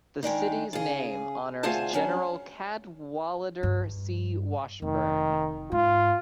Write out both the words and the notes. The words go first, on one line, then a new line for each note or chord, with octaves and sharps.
The city's name honors General Cadwallader C. Washburn.
D#3 G#3 D4 D#4
C#3 G#4
D2 A3 F4 G#4 C5 A5
F#3 C#4 D4
G2
F1 D#3
G#2 F4